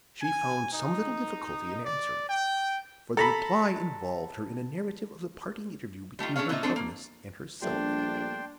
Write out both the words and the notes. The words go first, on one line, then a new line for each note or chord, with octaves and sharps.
She found some little difficulty in answering it, for the reply involved her in a narrative of the parting interview between her governess and herself.
G#5
D#4
D5
G5
A4 A#5 B5
G3 A3 D#4 F4
A3 C#4 D4 G#4 C#5 F5
A#2 F#3 C#4 D#4 F4 E5
A3 C4 D4 A4
A#3
A#1 G3 A3 B3 D4 G5 C6